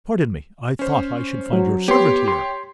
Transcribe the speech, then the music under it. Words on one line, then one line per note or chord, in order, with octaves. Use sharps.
"Pardon me; I thought I should find your servant here."
C#4 C5
F#3
B3 G4 C#5 C6
C6